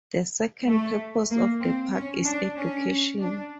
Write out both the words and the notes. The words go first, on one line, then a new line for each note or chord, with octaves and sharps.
The second purpose of the park is education.
A3
A#3
C4
C#4
D4
C#4
D4